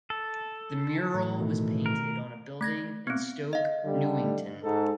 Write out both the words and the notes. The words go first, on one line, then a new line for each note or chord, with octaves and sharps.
The mural was painted on a building in Stoke Newington.
A4
A2 E3
B2 D#3 A3
A#4
A3 G#6 A#6
B3 C4
D#5 F5
D3 G3
G#2 A4